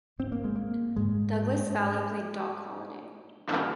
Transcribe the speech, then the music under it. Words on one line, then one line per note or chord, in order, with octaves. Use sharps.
Douglas Fowley played Doc Holliday.
G#2 C4
A#3
G#3
A#3
G#2 G#3